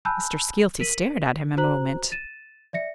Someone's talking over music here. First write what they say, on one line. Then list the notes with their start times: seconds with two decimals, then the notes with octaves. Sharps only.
Mr. Skeelty stared at him a moment.
0.05 G#5 A5 B5 E6 F#6 G6
0.80 A#4 B6 D#7 F#7
1.57 F#4 C5 A#5 F#6 F#7
2.12 A6 D#7 E7
2.73 D5 E5 A#6 C#7